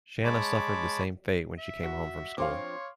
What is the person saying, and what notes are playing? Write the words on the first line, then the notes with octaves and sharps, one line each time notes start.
Shannah suffered the same fate when she came home from school.
G#3 C#5 A5 B5 D6
E5
F#4
F3 C4 D4 C#5 F5 C6 D6